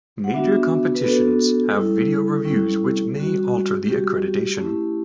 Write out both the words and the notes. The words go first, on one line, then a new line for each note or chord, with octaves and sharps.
Major competitions have video reviews which may alter the accreditation.
F#5
B3 D4 F#4 E5
B4
B3 D4 F#4 A4
G3 C#4 E4
G3 C#4 E4
G3 C#4 F#4
G3 C#4 F#4 G4
A3 C#4 E4